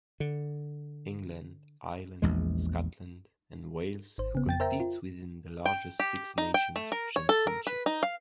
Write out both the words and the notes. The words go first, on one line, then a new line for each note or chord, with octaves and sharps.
England, Ireland, Scotland, and Wales who compete within the larger Six Nations Championship.
D3
A#1 E2 G#3
G#1 C5
C#3 B3
F2 G5 A6
A#4 C5 E5 G5 A#5
F4
G5
G4
D#4
G5
A3
A#4
C#5
A4
A#4
B4
D#4
F5